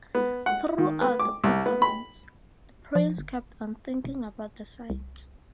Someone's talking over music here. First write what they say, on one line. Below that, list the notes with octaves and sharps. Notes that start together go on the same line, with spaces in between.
Throughout the performance, the prince kept on thinking about the sights.
B3
F#5
D#3
B3
D6
C2
B3
B5
F3
G1
E1
C2